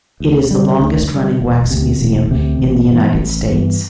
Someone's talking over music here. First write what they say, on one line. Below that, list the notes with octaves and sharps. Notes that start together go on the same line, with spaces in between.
It is the longest-running wax museum in the United States.
D2
D3 G3
D2
D3 G3
E1
D2 C3
E1
D2 C3
A1
G2 E3 B3
A1
G2 E3 B3